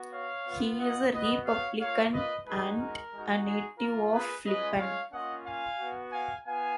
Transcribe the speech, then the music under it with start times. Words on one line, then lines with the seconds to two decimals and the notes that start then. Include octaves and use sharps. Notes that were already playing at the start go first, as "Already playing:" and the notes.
He is a Republican and a native of Flippin.
Already playing: B3 F#4
0.13 C#5 F5
0.46 B3 F4
0.80 D#5 F#5
1.13 B3 F#4 B4 D#5
1.46 C#5 F5
1.79 A#3 F4 C#5 F5
2.12 B4 D#5
2.46 G#3 D#4 F#4 G#4 B4
2.79 A#4
3.13 G#3 D#4 F#4
3.45 G#4
3.79 A#3 F4 A#4
4.12 G#4 B4
4.46 G#3 C#4 F4 B4 D#5
4.79 C#5 F5
5.12 A#3 C#4 F4 D#5 F#5
5.45 F5 G#5
5.79 B3 F#4
6.12 F5 G#5
6.45 B3 F4 F5 G#5